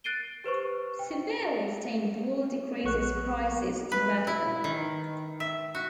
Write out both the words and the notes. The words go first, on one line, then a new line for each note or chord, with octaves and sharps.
Severely stained wool decreases prices dramatically.
F#6 A6 C7 D7 D#7 G7
G4 B4 C5 C#6
G5
A#1 B3 C#6 F#6
B4
E4
D#3
E5
F#4